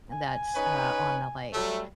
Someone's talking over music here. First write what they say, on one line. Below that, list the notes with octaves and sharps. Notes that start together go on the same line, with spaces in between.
that's, uh, on the lake.
G#5
C#4 D#4 B4
F#3 G3 A3